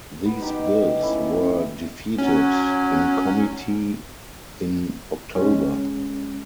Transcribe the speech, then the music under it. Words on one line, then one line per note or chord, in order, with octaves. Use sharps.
These bills were defeated in committee in October.
B3
D#4 G4 G5
A3 C#4 E4
F#3 C#4
G#3 C#4